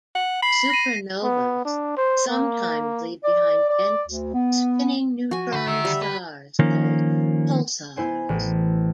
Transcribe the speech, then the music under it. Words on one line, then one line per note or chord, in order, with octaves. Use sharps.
Supernovas sometimes leave behind dense spinning neutron stars called pulsars.
F#5
B5 C7
A#6 D#7
B3
D4
C5
A#3
D5
D5
D2
B3
F3 F#4 G#5
D3 B4 C5 F#5
D#3 E5
G3
B4
D#3 F3 A#3 C#4
B3 E4 C5 G#5
A1